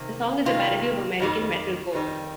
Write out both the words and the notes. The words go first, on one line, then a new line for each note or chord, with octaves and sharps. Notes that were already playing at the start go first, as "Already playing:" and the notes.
The song is a parody of American metalcore.
Already playing: C3 D#3 A#3
C3 D#3 A#3 F4
F2 D#3 G3
F2 D#3 G3